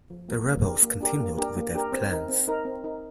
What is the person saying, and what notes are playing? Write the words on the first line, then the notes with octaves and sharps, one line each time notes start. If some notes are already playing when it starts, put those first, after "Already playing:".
The rebels continued with their plans.
F3
A#3 F4 A#4
A#3
D4 G4 A#4
A#3
D4 G4 A#4
A#3
D4 G4 A#4
A#3
D4 G4 A#4
C4
D#4 A#4
C4
D#4 A#4
C4
D#4 A#4